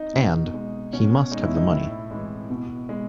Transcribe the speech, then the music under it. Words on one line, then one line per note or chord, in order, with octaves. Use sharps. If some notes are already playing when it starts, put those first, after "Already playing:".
And — he must have the money.
Already playing: D#4
B2
G#3
B2 C#4
G#3 D#4
E4
D#4
A2 E4
E3 G#3
B2
G#3